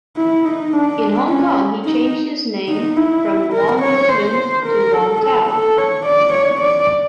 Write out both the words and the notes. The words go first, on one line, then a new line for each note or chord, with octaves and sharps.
In Hong Kong, he changed his name from Wang Libin to Wang Tao.
E4
D#4
D4
C#4
D#4
D#4
E4
A#4
C#5
C5
A#4
A4
A4
A4
C#5
D5
C#5
D5